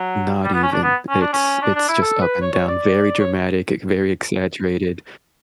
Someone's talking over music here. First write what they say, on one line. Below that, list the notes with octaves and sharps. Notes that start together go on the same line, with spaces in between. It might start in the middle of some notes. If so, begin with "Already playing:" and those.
Not even. It's it's just up and down, very dramatic, e very exaggerated.
Already playing: F#3
G3
B3
C#4
D4
B3
C#4
D4
C#4
D4
D4
E4
A4
B4
C#5
C#5
D5
C#5